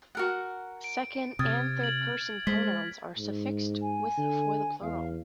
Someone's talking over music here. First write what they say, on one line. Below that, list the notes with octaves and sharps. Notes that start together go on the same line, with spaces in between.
Second- and third-person pronouns are suffixed with for the plural.
F#4 A#4 F#5
D7
C3 D#6 F6 G#6 A6
G#6 F#7
G#3 C5 B6
G#2
G#5
D3
E2 F5